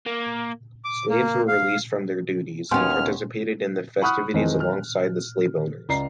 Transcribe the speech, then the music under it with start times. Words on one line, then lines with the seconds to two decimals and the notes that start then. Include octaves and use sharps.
Slaves were released from their duties, and participated in the festivities alongside the slave-owners.
0.07 A#3
0.84 D6
1.09 A#3
1.48 F5
2.71 D#2 B3 C#4 G5 G#5 C6 F6
4.02 F#5 B5 C#6 D#6 F6 F#6
4.34 F2 D#3 E3 G#3 C4
4.60 F6
5.89 C#2 D5 A#5 C7